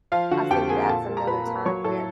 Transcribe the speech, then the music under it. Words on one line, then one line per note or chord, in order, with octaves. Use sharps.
I think that's another time where
F3 F4 F5
D3 F#4 F#5
F2 G4 G5
A#3 G#4 G#5
A#2 A4 A5
A#3
A#5
A#2 B4 B5
A#3
F#3 C#5 C#6
A2 A4 A5